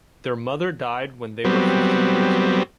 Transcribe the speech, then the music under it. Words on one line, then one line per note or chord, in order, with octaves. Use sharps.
Their mother died when they were fifteen years old.
F#3 G3 B3 C4